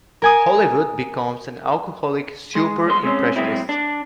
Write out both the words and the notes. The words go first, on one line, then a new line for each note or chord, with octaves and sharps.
Hollywood becomes an alcoholic 'super-impressionist'.
A#4 G#5 D#6
G#3
B1 G2 G#3 C6
G#3 C4 C#4
B1 G#3 C4 E4
D4